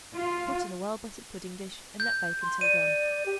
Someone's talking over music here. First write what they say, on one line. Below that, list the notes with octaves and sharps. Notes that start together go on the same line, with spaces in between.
Put in a well-buttered pudding-dish, and let bake until done.
F4
G6
C6
D5 D#7
G4